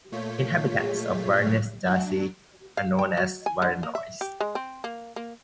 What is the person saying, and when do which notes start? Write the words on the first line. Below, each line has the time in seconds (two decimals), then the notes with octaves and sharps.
Inhabitants of Varennes-Jarcy are known as "Varennois".
0.12 A#2 A3 F4 C#5 G6 B6
1.86 F#3 D4
2.77 F5
2.99 G5
3.17 F#3
3.46 G#5
3.62 D3
3.83 A#3
3.95 E5
4.21 G4
4.40 G#3
4.55 C4
4.84 A#3
5.16 A#3